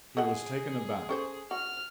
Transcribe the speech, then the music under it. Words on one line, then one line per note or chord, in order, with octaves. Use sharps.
He was taken aback.
G#4 A4 D#5 F#5
C#4 A4 C5
F#4 F6